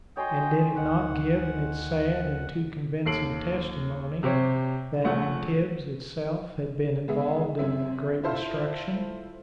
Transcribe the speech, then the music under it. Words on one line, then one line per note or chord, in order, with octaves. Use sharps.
And did it not give in its sad and too convincing testimony that Antibes itself had been involved in the great destruction?
F#4 C#5 D#5 G5 G#5 C6
D2 D#3 F#5
D#2 A4 C7 D7 F#7
C3 G4 C5 C#5
A#1 A3 F#5
G#3 B3 G#4 E5
F#2 C4 C#4 E5
E4 F4 A4 C5 E5 F5